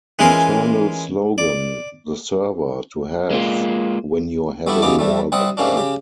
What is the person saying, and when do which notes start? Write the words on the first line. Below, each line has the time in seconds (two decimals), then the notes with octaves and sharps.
Internal Slogan: The server to have when you're having more than one.
0.19 E3 G#3 C#4 F4 G#4 A#4
1.38 D5
3.31 G#3 A#3 F4
4.67 G3 A3 B3 D4 E4
4.82 F#2 C#3 B3 D#4 G4 D6
4.99 C3 G3 A3
5.32 C3 G3 C4 F#5 D#6
5.57 G#2 C3 A#3 C#4 D4
5.77 C#3 G4